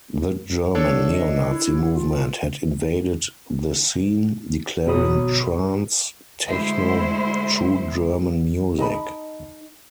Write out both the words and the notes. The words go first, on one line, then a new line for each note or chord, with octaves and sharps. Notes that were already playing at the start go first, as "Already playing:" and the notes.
The German neo-Nazi movement had invaded the scene, declaring trance techno "true German music".
D4 A4 C#5
D#5
E4
F4
G1 B2 F#3 B5 D#6
D2 G#3 E4 C5
D#4 D#5 A5 B5